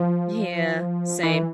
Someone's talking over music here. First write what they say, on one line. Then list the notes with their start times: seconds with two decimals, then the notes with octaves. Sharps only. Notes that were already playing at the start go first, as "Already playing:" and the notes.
Yeah, same.
Already playing: F3
1.23 E3